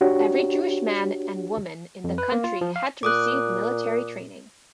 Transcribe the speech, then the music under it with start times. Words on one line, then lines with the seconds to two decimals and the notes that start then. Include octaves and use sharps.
Every Jewish man and woman in the country had to receive military training.
0.01 D4 F#4 G4 C#5
2.04 F2
2.18 B4
2.32 A#3
2.44 F4
2.61 F3
2.76 F5
3.03 A#2 D6 D#6 F#6